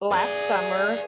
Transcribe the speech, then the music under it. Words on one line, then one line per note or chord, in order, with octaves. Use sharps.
last summer
G#4 B4 D5